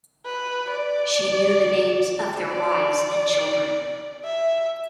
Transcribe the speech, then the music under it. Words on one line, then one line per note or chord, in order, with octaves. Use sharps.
She knew the names of their wives and children.
B4
D5
D5
E5